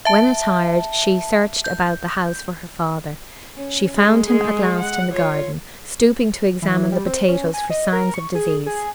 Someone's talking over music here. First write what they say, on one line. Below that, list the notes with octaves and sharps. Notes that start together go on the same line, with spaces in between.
When attired she searched about the house for her father; she found him at last in the garden, stooping to examine the potatoes for signs of disease.
E5 A5
G6
C#4
G#3
G#3 G#4
F#5
F4 C#5
E3
G3
C4
C#4
G#5
D#5
A#4
C#6
G#4
G#4